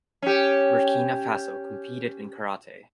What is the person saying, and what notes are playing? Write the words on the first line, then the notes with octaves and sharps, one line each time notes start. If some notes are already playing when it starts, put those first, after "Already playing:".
Burkina Faso competed in karate.
C#4 G4